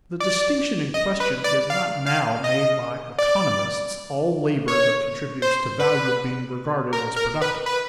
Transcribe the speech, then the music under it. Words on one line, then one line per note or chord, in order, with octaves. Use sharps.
The distinction in question is not now made by economists, all labor that contributes to value being regarded as productive.
D5
D#5
B4
D5
F5
F5
D#5
D5
C#5
C5
B4
A#4
A#4
B4
B4